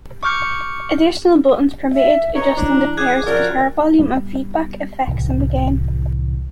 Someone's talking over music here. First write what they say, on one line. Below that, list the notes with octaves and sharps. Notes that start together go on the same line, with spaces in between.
Additional buttons permitted adjusting the player's guitar volume and feedback effects in the game.
C#6 D6 F6 G6 C#7
E5
B4 C#5 D#5 A#5
E3 D4
G#4 D6 F#6 G#6
F3 C#4 F#4 A#4 D5
G3 B3
C2 A2 E3